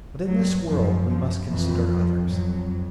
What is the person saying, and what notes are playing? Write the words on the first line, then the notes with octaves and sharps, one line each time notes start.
But, in this world, we must consider others.
G2 F#3
F#2 F3
F3
F2 E3
F3
F2 F#3